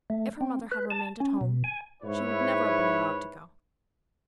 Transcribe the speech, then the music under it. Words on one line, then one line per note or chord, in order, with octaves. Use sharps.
If her mother had remained at home, she would never have been allowed to go.
A3
C4
B4
A5
C#4
B2
G#5
G#2 E4 B4 C#5